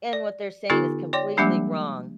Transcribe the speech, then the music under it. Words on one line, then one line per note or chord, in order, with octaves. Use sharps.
And what they're saying is completely wrong
D5
D3 B3 D#4 F4 G4 A4
C#5 D5 G5 C6 D6
F3 G3 G#3 A#3 D4 G4